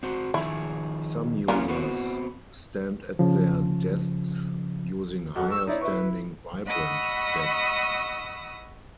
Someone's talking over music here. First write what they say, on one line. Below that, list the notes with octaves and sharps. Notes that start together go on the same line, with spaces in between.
Some users stand at their desks using higher standing vibrant desks.
C4 F#4 C5
D#3 F3 E4 G#4
E3 A#3 B3 C#4 F4 A#4
B3 C4 F#4
C#3 F3
F2 F#4
C#6 E6
D#4 E4 C#5 D5
E4 B4 C#6
D#5 F#5 B5 C#6 D#6 E6